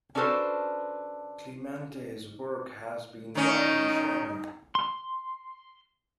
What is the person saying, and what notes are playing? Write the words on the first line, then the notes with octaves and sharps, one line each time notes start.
Clemente's work has been widely shown.
C#4 D4 F#4 A4 B4 C5
D#3 C#4 D#4
C6